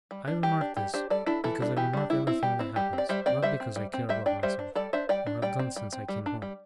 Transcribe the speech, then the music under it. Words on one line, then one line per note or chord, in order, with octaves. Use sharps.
I remark this, because I remark everything that happens, not because I care about myself, or have done since I came home.
G3
D4
G3 G4
D4
G3 G4
D4 G4 C5
G3 A4 D5
D4 E4 A4
E3 E4 A4
G3 D4
E3 G4
G3 D4
G3 E4
C4 E4
G3 G4
C4 E4
G3 G4
C4
D5
G3 C5 E5
C4 D5 G5
G3 C5 E5
C4
G3
C4
G3 C5 E5
D4 D5 G5
G3 C5 E5
D4
G3 A4 D5
D4 C5 E5
G3 D5 G5
D4
G3 D5 G5
C4
G3
C4
G3
D4
G3